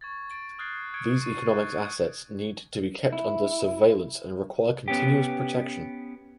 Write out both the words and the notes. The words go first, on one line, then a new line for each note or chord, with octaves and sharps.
These economic assets need to be kept under surveillance and require continuous protection.
C#6 G#6 A6
A6 D7
D#6 F6 F#6 G#6 A6 C7
D#6 F6 G#6 C#7 D7
C#6 D#7
F#6
E4
B3 C#4 G4